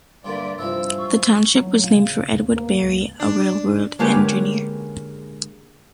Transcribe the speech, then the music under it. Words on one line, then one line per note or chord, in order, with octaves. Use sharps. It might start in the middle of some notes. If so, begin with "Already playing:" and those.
The township was named for Edward Barry, a railroad engineer.
G2 D3 A#3 D5 E5 C6
G2 C3 E3 F3 G3 E6
F#3 F4 C#6
F#3
A#2
C#3
D#2
A#3
C#2
D4
D3 G#3 A#3 C#4 G4 B4